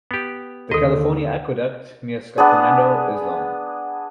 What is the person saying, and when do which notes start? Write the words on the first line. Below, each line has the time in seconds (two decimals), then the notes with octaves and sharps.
The California Aqueduct, near Sacramento, is long.
0.11 B3 G4
0.71 D#2 D3 F#4 A4 D#5
2.38 B3 D4 G#4